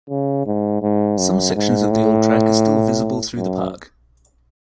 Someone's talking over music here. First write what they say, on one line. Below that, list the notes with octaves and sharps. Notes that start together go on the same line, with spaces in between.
Some sections of the old track are still visible through the park.
C#3
G#2
G#2
F#2
G#2
A2
F#2